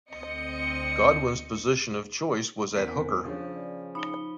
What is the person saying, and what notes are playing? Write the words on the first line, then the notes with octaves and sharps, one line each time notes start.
Godwins's position of choice was at hooker.
D2 C4 D#5 C#7
E2 C4 C#4 A#4 B6
C#3 F3 D4 G#4 C#5
D5
D#4 B5 C#7 G7